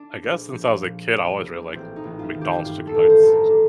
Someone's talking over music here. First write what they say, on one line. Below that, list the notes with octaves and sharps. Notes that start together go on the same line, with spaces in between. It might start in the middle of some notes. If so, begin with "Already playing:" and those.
I guess since I was a kid, I always really liked McDonald's chicken nuggets
Already playing: D4
A#1
F3
A#2
A#1
A#1
A1 C4
D#4
A1
F4
D#3
G4
G2 F4
A4
A1
C5
A1 A4
A#4
D4